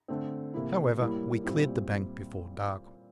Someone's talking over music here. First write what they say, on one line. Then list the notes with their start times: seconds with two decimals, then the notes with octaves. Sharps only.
However, we cleared the bank before dark.
0.08 D3 A3 C4
0.54 C3 E3 A#3 E4
0.99 A2 G3 A#3 E4
1.43 A#2 G3 C4 E4